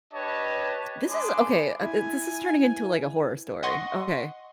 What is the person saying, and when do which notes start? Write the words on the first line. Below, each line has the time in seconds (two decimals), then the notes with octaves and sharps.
This is okay, uh, this is turning into, like, a horror story. Okay.
0.14 D4 G4 B4 C#5 D#5 A5
1.09 G#3 D4 G#4 B5 C6 D6
1.83 E4 G#5
3.63 D#5 F#5 C6 C#6